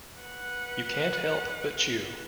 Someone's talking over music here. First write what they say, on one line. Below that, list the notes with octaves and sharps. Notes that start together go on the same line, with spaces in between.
You can't help but chew!
B4 F#5